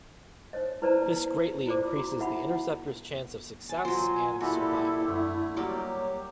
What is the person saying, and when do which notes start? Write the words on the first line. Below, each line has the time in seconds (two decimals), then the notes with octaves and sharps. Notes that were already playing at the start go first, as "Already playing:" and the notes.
This greatly increases the interceptor's chance of success and survival.
0.53 D#4 C5 C#5 D#5
0.82 E4 B4 C5 D5 A5 A#5
1.66 E4 F4 C5 D5 D6
1.95 F#4 A#5
2.19 D#4 E4 F#4 E5 F#5 B5
2.48 E4 F#5
3.69 B2 G#5 A5
3.85 F#3 F4 C5
4.41 A#2 E4 F#4 G4 A4 B5
5.06 F#2 D3 A3
5.57 F#3 G3 A#3 G4 C#5